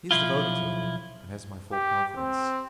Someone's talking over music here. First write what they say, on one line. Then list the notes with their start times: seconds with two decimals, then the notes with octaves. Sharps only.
He is devoted to me, and has my full confidence.
0.11 B1 F3 E4 F4
1.72 G4
2.17 C4